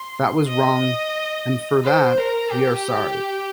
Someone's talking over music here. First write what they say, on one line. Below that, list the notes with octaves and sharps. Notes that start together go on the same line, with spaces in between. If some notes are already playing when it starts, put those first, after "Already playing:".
That was wrong, and for that, we are sorry.
Already playing: C6
D#5
C5
A#4
G4